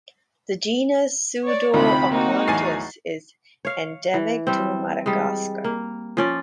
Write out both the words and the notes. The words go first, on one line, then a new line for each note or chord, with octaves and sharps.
The genus "Pseudoacontias" is endemic to Madagascar.
C#5 D5
D2 C3 C4 D#4 F4 B5
A#3 D#4 F#4
E2 A2 F#3 G#5 A6 C7
C#5 F5
E3
G3 C4
G3 G#3
A#3
F3 C#4 D5